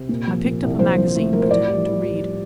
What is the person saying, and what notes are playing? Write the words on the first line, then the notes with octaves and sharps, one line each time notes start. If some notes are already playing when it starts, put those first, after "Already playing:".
I picked up a magazine, pretending to read.
Already playing: C3
A#2
F3
A#2
C2
F3 C5
F3
A3
F3 A#4
C5
A2 D5
G3
G3
G3
G3